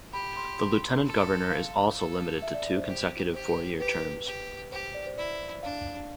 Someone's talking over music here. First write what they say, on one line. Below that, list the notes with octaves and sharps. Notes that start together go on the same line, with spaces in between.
The Lieutenant Governor is also limited to two consecutive four-year terms.
G4 B5
C6
C6
A4
F5
A4
E5
D5
D5
C5
G4 C5
G4 C5
G4 B4
G4
G4 C5
D5
C5
E4 D5
D4 F5